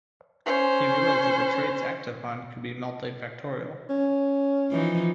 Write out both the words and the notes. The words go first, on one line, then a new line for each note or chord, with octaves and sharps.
He realized that the traits acted upon could be multifactorial.
C#4 C5
C#4
E3 F3 D#4